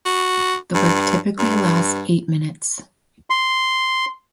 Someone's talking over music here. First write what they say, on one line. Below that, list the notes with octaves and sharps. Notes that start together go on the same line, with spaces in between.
The work typically lasts eight minutes.
F#4
G2
G2
C6